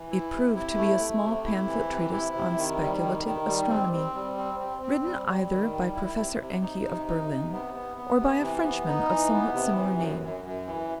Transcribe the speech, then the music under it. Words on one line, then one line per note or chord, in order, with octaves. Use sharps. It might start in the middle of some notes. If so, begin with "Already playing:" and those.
It proved to be a small pamphlet treatise on Speculative Astronomy, written either by Professor Encke of Berlin or by a Frenchman of somewhat similar name.
Already playing: E3
E4
C3
E4
A3
A3
C3
E4
E3
C3
E4
C3
D#3
G3
D#3
D#3
G3
C4
C4
G3
C4
C4
C4
G3
G3
D#3
G3
E4
C3
C3
D#4
C3
D#4
C3
B3
B3
B3
C3
E3
B3
D#4
E3
B3
C3
E3
F#2
F#2
F#2
E3